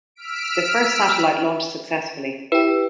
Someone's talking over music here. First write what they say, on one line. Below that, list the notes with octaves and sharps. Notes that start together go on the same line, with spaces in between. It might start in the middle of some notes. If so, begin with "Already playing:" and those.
The first satellite launched successfully.
E6 F6 B6 D7
E4 G4 B4